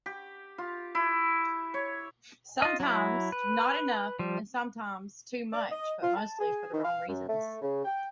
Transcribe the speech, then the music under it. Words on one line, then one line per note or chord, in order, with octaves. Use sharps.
Sometimes not enough and sometimes too much but mostly for the wrong reasons.
G4
F4
E4
C#5
F4 D#5
F#3 E4
B4
F3 G3
D5
D#5
F4
A5
G#4
D#3
F5
F#2
A3
C#3
G5